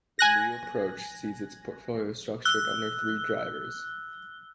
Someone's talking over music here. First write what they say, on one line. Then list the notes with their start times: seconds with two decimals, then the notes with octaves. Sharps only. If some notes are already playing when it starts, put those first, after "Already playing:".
The new approach sees its portfolio structured under three drivers.
0.19 G#5 F#6 A#6
2.45 E6 F#6 G7